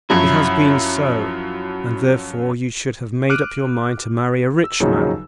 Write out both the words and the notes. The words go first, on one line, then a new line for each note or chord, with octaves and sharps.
"It has been so, and therefore you should have made up your mind to marry a rich man."
F#2 F3 F#3 E4
D6 F6 F#6 D7 D#7
E6
D#2 C#3 F3 F#3 D#4